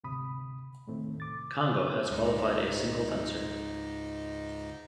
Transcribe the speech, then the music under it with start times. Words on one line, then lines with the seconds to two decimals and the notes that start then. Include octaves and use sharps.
Congo has qualified a single fencer.
0.04 D2 G#2 C3 B5 D#6
0.87 E2 A2 D#3 A3 C4
1.20 C2 D6 A6
1.70 B3
2.10 C#2 G#2 D#4